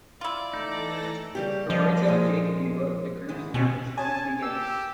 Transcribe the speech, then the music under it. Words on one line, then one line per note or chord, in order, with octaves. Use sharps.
Roberto Jacoby wrote the group's lyrics from its beginning.
E4 F4 D5
E3 A3 D#4 A4 A#6
C#3 G3 G4
F3 G3 D#5
A#2 G#3
G#2 D#3 E3
B2 C4 C#4 G#5
G#5 A5
G4 E6